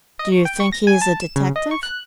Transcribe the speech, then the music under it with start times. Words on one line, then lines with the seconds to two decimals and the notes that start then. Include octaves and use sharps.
"Do you think he is a detective?"
0.19 D#5
0.32 C#6
0.45 G5
0.60 C#6
0.72 A#6
0.87 G#5
1.02 A5
1.21 E7
1.36 C#3
1.56 D#5
1.71 C#6
1.83 F#6